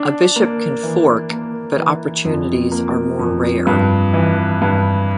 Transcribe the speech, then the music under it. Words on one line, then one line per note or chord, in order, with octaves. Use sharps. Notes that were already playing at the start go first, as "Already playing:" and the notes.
A bishop can fork, but opportunities are more rare.
Already playing: D4
A#3
E3
A#3
E3
F2
A#3
F2
G2
E3
G2